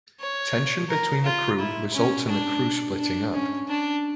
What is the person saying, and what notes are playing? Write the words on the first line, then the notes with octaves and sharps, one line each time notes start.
Tension between the crew results in the crew splitting up.
C#5
A#4
F4
E4
C#4
D4
D4
C#4
D4